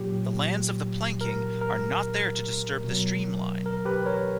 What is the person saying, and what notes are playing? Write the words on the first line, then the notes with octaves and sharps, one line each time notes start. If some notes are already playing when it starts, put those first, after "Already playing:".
The lands of the planking are not there to disturb the stream line.
Already playing: A#2 F#3 G4
A#4
A#4
B2 F#3
A#4
G4 B4
A#4 C#5